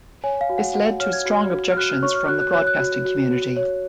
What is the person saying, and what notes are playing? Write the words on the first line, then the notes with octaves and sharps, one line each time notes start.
This led to strong objections from the broadcasting community.
C#5 G#5
F5
F#4
F#5
F#4 F#5
C#5 F6
G#6
F#4
F#4
F6
F#4 F#6
F6
C#5 C#6
F6
F#4 F#6
F#6
C#5 F#6
F#6
F#4
F#4
F#4
C#5